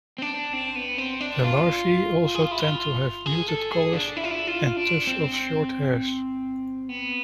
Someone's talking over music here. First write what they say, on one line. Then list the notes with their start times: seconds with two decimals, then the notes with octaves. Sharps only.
The larvae also tend to have muted colors and tufts of short hairs.
0.18 C4
0.22 D4
0.53 C4
0.76 B3
0.98 C4
1.21 D4
1.44 F4
2.35 G#4
2.42 F4
2.51 E4
2.60 F4
3.26 G#4
3.48 A4
3.71 G#4
3.93 D4
4.17 E4
4.24 F4
4.31 E4
4.47 F4
4.77 D4
5.07 C4
6.89 B3